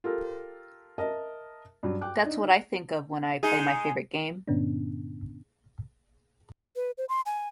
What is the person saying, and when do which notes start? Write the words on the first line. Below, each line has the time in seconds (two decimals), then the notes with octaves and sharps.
That's what I think of when I play my favorite game.
0.04 F4 G4 A4 A#4
0.98 A#4 D#5 E5 A5
1.83 G2 F#3
2.01 G5 D6 F#6
2.24 D4 D#4
3.43 G#3 D#4 G#4
4.48 G2 A#2 D3 B3 C#4 D4
6.76 B4
6.98 C5
7.09 C6
7.26 G#5